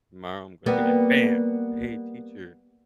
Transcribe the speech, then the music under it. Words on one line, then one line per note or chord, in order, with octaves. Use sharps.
Tomorrow, I'm gonna be like, "Bam! Hey, teacher"
G3 A#3 B3